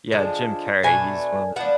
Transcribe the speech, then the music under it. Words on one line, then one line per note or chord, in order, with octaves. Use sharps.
Yeah, Jim Carrey. He's one of the,
D3 F3 G#3 D4
B2 A3 D4 G#5
F3 B3 D4 F#5